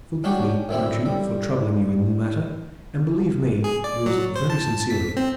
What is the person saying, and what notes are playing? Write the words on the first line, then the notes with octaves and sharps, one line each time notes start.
Forgive me, won't you, for troubling you in the matter, and believe me, yours very sincerely.
C#4 D4 F#4 G4
F#2 D3 C4 E4
G3
G#4
D5
F#3
C5
A5
B6
C4